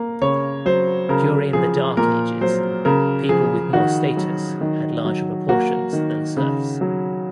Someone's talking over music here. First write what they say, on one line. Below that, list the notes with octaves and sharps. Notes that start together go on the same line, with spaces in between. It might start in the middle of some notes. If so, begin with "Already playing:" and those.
During the Dark Ages, people with more status had larger proportions than serfs.
Already playing: A#3
C#3 C#5
F#3 C5
C#3 A#4
F3 G#4
A#2 A#4
F#3 C5
C#3 A#4
F3 G#4
D#3 F#4
F#3
D#3
F#3
A#3 F#4
D#3
C#3
F#3